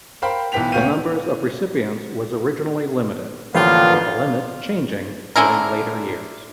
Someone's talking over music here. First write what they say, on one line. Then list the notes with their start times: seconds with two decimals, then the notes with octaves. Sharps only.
The numbers of recipients was originally limited, with the limits changing during later years.
0.22 A#4 C5 F5 G5 B5
0.52 B1 E3 B3 G5 B6 F7
0.72 D2 B3 C#5 F5 G6 D#7
3.54 A1 D3 F3 A#3 F4 B4 F5 G5
5.36 D3 C#4 E4 A#4